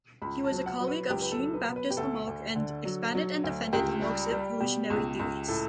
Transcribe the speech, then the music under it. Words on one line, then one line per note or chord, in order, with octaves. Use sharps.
He was a colleague of Jean-Baptiste Lamarck and expanded and defended Lamarck's evolutionary theories.
C#2 B5
A5
F#3
F#5
F#3
B4
C#2 G4
B4
A4
F#3
B4
B2
B4
G4
D2 A4
D2
D3
F#3
F#3
D2
C#2 G4
G3
G3
B2 G4
C#2
C#2
A2 A4